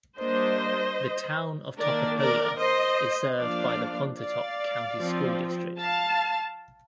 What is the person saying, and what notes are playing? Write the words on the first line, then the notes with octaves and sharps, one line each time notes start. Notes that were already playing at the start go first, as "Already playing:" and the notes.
The town of Toccopola is served by the Pontotoc County School District.
G3 A#3 D4 C5 D#5
D#3 A#3 D4 A#4 D5
A#4 D5
C5 D#5
F3 A#3 D4 D5 F5
D5 F5
F3 C4
F5 A5